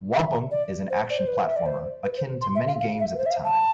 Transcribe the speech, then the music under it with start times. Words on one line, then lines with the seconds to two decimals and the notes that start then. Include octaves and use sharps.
"Whomp 'Em" is an action platformer, akin to many games at the time.
0.13 E5
0.51 D5
0.90 C5
1.10 D5
1.18 C5
1.27 B4
1.45 E5
1.56 D5
1.66 C5
2.04 B4
2.17 C5
2.41 C6
2.55 E5
2.67 F5
2.80 F5
2.99 E5
3.14 B4
3.18 C5
3.26 E5
3.30 F5
3.44 A5